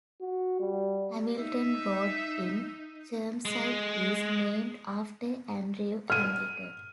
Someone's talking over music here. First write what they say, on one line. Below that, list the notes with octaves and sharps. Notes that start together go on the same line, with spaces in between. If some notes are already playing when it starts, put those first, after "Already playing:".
Hamilton Road in Chermside is named after Andrew Hamilton.
F#4
G3
D#4 E5
G#3
F6 D#7